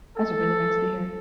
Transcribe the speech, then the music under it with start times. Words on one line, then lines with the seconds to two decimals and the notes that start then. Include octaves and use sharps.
That's really nice to hear,
0.17 A4